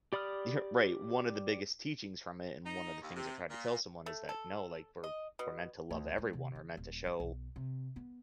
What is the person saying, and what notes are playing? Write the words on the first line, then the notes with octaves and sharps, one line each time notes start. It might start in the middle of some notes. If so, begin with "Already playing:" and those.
You're right, one of the biggest teachings from it, and one of the things I tried to tell someone is that, "No, like, we're we're meant to love everyone, we're meant to show
G4 D5 B5 D#6 F6
D#4
D#2
C3
A#2
A3
A4
D#5
B2
D2
G#3
C3
D3
D#1
D4
B1
C3
B3